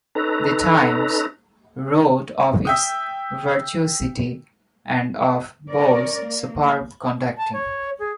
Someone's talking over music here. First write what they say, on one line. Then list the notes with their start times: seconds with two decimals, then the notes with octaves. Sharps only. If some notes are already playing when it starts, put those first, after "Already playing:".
"The Times" wrote of its "virtuosity" and of Boult's "superb" conducting.
0.15 C#4 D#4 A4 B4 A#5
2.65 E5 G5 D#6
5.71 C#4 A#4 D5
6.25 A#3
7.37 A5
7.53 C#5
7.99 G#4